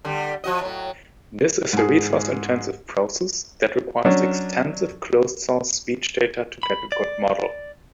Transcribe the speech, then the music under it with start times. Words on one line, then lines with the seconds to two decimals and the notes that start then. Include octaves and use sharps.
This is a resource-intensive process that requires expensive closed-source speech data to get a good model.
0.05 D3 G3
0.44 F3 F#4 D#5
0.61 A2 F#3
1.73 G#2 G#4
4.05 F#3 C#4 D4
6.63 B5
6.92 D5